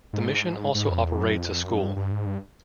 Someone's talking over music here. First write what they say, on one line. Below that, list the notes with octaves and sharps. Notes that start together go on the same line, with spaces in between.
The mission also operates a school.
G#2
G#2
F2
E2
F2
F#2
F2
F#2
G2
G2
G#2
G2